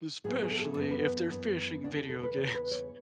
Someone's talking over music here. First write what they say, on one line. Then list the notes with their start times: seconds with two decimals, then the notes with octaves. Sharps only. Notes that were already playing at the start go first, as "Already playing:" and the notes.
"Especially if they're fishing video games."
0.24 A2 F#3 B3 G#4
0.42 G#4
0.51 A4
0.60 G#4
0.77 F#2 E3 B3 A4
0.91 B4
1.04 B4
1.17 D4
1.30 F#2 E3 B3
1.83 E2 C#3 E3 D4
1.96 A4
2.10 A4
2.23 B4
2.36 E2 C#3 E3 C#5
2.54 B4
2.71 C#5